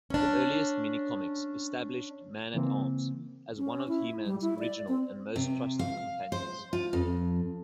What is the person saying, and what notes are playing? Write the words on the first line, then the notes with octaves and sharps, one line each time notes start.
The earliest mini-comics establish Man-At-Arms as one of He-Man's original and most trusted companions.
C#4 D4
C#3 E3 A#3 C4
C#4
E4
G3
E4
D5
C4
C3
F5
C5
F4
F2